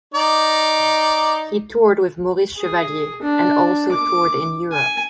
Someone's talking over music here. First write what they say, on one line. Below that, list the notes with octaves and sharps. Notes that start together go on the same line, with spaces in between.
He toured with Maurice Chevalier and also toured in Europe.
D#4 D5
G#4
D4
D6
G#5